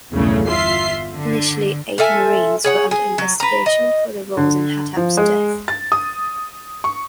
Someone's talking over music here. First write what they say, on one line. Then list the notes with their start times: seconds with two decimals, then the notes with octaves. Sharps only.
Initially eight Marines were under investigation for their roles in Hatab's death.
0.11 B1 E2 G2 C#3 A3
0.47 G1 F4 E5 C6 C7
1.12 D3
1.98 F4 A4 E5 G#5
2.64 G#4 C#5 F#5
2.91 G#4
3.18 F#3
3.40 B4 A#5
3.66 D#5
4.37 D3
4.97 F3
5.17 G#3
5.68 A6
5.92 D#6
6.84 C#6